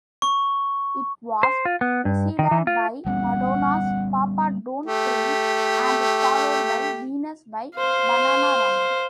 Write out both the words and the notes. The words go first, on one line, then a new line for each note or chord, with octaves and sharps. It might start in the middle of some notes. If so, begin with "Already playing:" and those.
It was preceded by Madonna's "Papa Don't Preach" and followed by "Venus" by Bananarama.
C#6
C5
F4
B3
G2
D#3
E3
F4
G3 B3 C#4 F#5
A3 G4
C5 F5